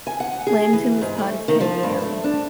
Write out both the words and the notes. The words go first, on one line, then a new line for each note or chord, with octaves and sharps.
Lambton was part of Kent county.
G#5
F#5
G#4
E3
G#2
A3
D#3
F3
G2
A3
D4